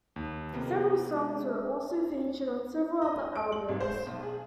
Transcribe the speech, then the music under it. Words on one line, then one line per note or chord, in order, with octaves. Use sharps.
Several songs were also featured on several other albums.
D#2
F2 C3 A#3 B3
G#3 E5
D#5
D7
F#7
G#1
C5
B1
G#4